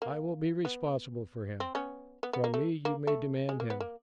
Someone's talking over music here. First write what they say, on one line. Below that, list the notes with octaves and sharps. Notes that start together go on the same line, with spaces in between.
I will be responsible for him; from me you may demand him.
A#3
B3
C4
B3 C#4
B3
B3
A#3
A3
A#3
A3
G#3
A#3
B3
A#3